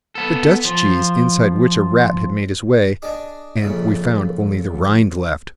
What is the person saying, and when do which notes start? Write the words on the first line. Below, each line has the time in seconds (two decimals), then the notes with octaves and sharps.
"The Dutch cheese, inside which a rat had made his way, and we found only the rind left."
0.15 B3 A4
0.65 F3
3.02 D4 G#4 D#5 G#5 D6
3.61 F2 A#2 C#3 E4